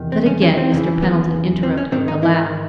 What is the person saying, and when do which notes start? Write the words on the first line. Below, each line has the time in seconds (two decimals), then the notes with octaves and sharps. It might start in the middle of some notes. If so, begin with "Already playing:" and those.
But again Mr. Pendleton interrupted with a laugh.
Already playing: E2 C3 D#3
0.12 C4
0.26 C#4
0.42 C#4
0.57 C4
0.72 E2 C#3 E3
1.02 B3
1.63 C4
1.77 C#4
1.92 G#2 D#3 C4
2.08 D#4
2.23 E4